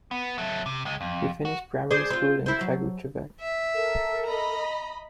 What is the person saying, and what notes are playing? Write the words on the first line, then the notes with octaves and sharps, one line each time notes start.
He finished primary school in Kragujevac.
B3
F#3 A3
C3
C#2 G#3
F2
F#4
G#4 C5 D5
C4 F4
E4 C5
F#3
E5
A4 A#4
D#5 A#5 B5